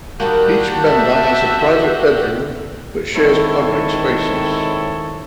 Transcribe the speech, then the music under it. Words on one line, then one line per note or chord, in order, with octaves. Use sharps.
Each member has a private bedroom, but shares public spaces.
D#3 G3 A#3 F#4 G4 A5
D#5 E5
D#3 G#3 C4 E4 A4 C#5